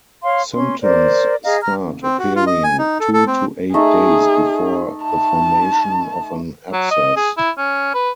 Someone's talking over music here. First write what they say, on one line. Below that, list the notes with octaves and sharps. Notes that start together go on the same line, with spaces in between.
Symptoms start appearing two to eight days before the formation of an abscess.
C#5 F5 C6
C#4 C6
A#4 C5 D5
G#4 D#5 F5 A#5
A#5 F6
C4
F#4
F4
D#5
G#5
D#4
A4
A4
C4
A3 D#4 G#4 E5
A5
F#3
D#5
G#4
E4
C#4
B4